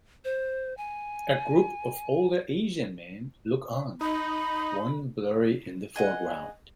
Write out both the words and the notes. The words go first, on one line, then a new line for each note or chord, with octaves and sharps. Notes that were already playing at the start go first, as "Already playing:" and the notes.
A group of older Asian men look on, one blurry in the foreground.
C5
G#5
D#4 B5
G#4 D#5 F#5